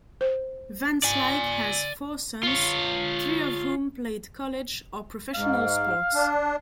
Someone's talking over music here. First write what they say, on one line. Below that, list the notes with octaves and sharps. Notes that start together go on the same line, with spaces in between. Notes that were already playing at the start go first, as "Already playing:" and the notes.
Van Slyke has four sons, three of whom played college or professional sports.
C5
D5 G#5
F4 C#5
G#2 F5
D4